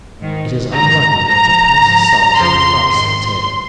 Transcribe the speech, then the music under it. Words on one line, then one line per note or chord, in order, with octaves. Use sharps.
It is unlucky to pass salt across the table.
G#2 D#3
G#2 F3 A#5
G#2 F3 A#5
G#2 F3
F2 C#3 F3 C6
G#2 D#3 C6